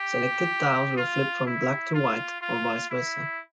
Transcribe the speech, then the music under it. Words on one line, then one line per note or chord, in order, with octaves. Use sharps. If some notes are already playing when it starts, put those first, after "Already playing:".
Selected tiles will flip from black to white or vice versa.
Already playing: G4
F4
E4
F4
F4
E4